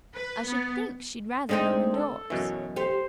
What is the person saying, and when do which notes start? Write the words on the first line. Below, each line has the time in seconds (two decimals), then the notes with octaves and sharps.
"I should think she'd rather go indoors."
0.15 B4
0.46 B3
1.49 D3 G#3 C4 D#4 D#5 G5
1.93 A4
2.30 F#2 B2 E3 F#3
2.76 G4 A4 C5